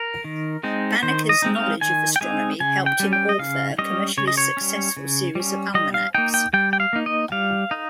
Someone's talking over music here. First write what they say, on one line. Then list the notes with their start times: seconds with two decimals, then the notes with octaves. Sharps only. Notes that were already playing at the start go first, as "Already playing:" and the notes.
Banneker's knowledge of astronomy helped him author a commercially successful series of almanacs.
Already playing: A#4
0.24 D#3
0.63 G#3 C4 D#4
1.03 D#3 C5
1.29 D#5
1.42 G#3 C4 D#4
1.55 F5
1.81 D#3 G#5
2.16 G5
2.21 G#3 C4 D#4 G#5
2.60 C#3 G#5
2.86 G5
3.00 G3 C#4
3.13 G5
3.29 D#5
3.39 C#3 F5
3.78 G3 C#4 D#5
4.17 C#3 C#5
4.28 D#5
4.37 C#5
4.57 G3 C#4
4.97 C#3
5.35 G3 C#4
5.74 G3 D#5
5.94 F5
6.14 A#3 D#4 G5
6.34 G5
6.53 G3 G5
6.73 G5
6.80 F5
6.93 A#3 D#4
7.06 D#5
7.32 G3 F5
7.71 D#4